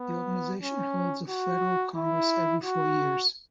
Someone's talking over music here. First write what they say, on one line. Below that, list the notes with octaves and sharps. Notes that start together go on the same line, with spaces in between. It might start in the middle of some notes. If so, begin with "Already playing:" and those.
The organisation holds a federal congress every four years.
Already playing: B3
C#4
F#4
E4
F#4